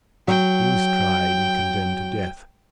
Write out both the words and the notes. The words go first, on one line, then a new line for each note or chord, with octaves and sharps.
He was tried and condemned to death.
F#3 G5